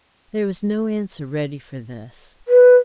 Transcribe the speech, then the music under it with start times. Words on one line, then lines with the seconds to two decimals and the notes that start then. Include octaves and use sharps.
There was no answer ready for this.
2.48 B4